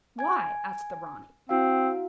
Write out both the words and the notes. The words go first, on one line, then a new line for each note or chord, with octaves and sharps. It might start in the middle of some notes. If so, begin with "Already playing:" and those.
'Why?' asked the ranee.
G#5 G#6
C4 E4 F#4 F5